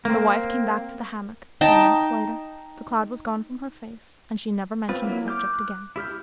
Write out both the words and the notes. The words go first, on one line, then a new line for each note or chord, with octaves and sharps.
When the Wife came back to the hammock, ten minutes later, the cloud was gone from her face, and she never mentioned the subject again.
A#3 C4
D#4 G5 A5
C4 F4 B4
F#3 A#3 E4
D6 F6 G6
F#6
E4 G4 F6 G6